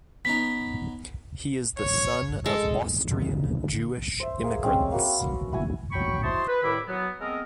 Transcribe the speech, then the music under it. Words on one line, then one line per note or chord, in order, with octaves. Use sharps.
He is the son of Austrian Jewish immigrants.
B3 C#4 D#4 B6
C#5
G#3 A4
B2 D3 D#3
C5 E5
A#3 G#4
G#3 C4 C#4 G4
A#3 F#4 B5
B3
E4 F#4 G#5
F#3 G5 B5 C#6
E4 F#4 C5 D#5 A5 C6
B4
C2 A2 D#3 E4 B5 D6
F#3 B3
G#3 B3 C4 A4 A#4 D#5